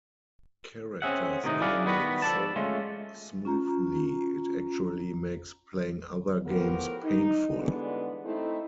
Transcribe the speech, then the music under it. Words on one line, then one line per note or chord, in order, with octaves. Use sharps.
Characters animate so smoothly it actually makes playing other games painful.
C4 C#4 G#4 E5 F#5
A2 C3 D#3 F#3 D#4
F#2 E4 G#4 D5 F5 F#5
D#3 G3 B3 F#4 B4
F3 A4 D5 A5
G#3 A3 C#4 F4
C#4 F4 A#5
A2 F3 A3 B3 G4 A#4
D#4
D3 E3 G3 G#3 B3 D4
A3 C4 D#4 E4